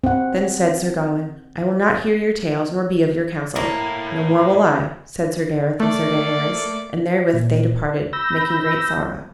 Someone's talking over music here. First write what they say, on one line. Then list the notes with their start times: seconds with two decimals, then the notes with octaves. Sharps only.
Then said Sir Gawain, "I will not hear your tales nor be of your counsel." "No more will I," said Sir Gareth and Sir Gaheris, and therewith they departed, making great sorrow.
0.04 C4 F#5
3.56 A3 A#3 E4
5.80 A3 A#3 A4 D5
7.33 A#2
8.13 B5 E6 G6 A#6